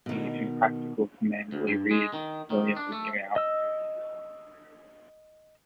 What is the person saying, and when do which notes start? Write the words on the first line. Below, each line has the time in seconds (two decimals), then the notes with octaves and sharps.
It would be impractical to manually read millions of emails.
0.06 B2 D#3
1.52 D2
1.67 G2
1.91 G#3
2.13 D#3
2.50 D#3
2.76 D4
2.92 A3
3.36 D#5 E6